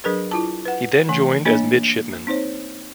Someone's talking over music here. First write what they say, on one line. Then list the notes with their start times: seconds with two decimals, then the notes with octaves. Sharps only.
He then joined as midshipman.
0.04 F#3 D4 G#4 A#4 B4
0.31 E4 F4 A5
0.65 B4 F#5
1.09 E3 A3 G#5
1.45 A#3 D4 C#5 D#5
2.27 C4 D#4 C5 C#5